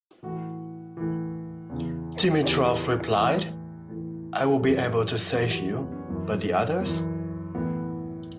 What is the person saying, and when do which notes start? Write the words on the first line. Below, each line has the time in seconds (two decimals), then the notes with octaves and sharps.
Dimitrov replied, I will be able to save you, but the others...?
0.23 A2 E3 F#4
0.97 A2 E3
1.69 E2 C#3 E3
2.42 E2 C#3 E3 G4
3.16 A2 E3
3.89 A2 E3
4.52 A4
4.61 F#2 E3 G4
5.34 F#2 F#4
5.40 E3 G4
5.51 F#4
5.72 C#4
5.81 B3
5.92 C#4
6.08 F#2 E3
6.81 F#2 E3
7.55 A2 E3 B3